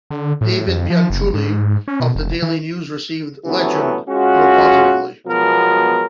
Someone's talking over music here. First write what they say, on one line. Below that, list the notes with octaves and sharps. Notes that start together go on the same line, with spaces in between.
David Bianculli of the Daily News received "Legend" more positively.
D3
A2
F2
F3
F#1
G#2
C#4
B2
F1
E3
C3 E3 F#3 A3 B3 C#4
G#3 C#4 F4 F#4
B2 F3 F#3 G#3 B3 A#4